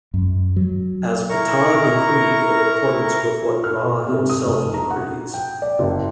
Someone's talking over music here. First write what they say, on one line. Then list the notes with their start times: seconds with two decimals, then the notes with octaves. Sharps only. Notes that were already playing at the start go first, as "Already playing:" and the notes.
As Ptah decreed in accordance with what Ra himself decrees.
0.14 F#2
0.56 F#3
1.29 E4 A#4 A#5 C#6
3.42 F4
3.64 F6
4.08 C3
4.29 D#6
4.45 F1
4.74 A#5
4.91 F#5
5.34 G5
5.62 D5
5.79 F#1